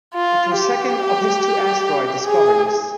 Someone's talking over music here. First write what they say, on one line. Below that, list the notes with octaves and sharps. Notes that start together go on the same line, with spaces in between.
It was second of his two asteroid discoveries.
F4
G4
G#4